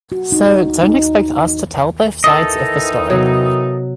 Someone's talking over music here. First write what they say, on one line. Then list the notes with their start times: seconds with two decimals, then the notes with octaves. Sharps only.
So, don't expect us to tell both sides of the story.
0.12 F#4
0.32 D#4
0.83 D#4
2.24 D#3 E3 D#4 A4 D#5
3.10 C3 F#3 B3